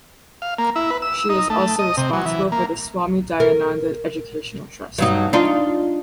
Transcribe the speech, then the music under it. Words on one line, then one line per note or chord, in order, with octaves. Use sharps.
She is also responsible for the Swami Dayananda Educational Trust.
F5
A#3
E4
B4
E6
D#4
A3
D#5
C3
F#3
E3
A#3
A#4
G2 F#3 D#4
D4 D#4 F4